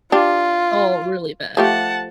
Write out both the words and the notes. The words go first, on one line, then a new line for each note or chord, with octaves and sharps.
all really bad.
D4 F4 G4
F3 A3 G4 F#5 A5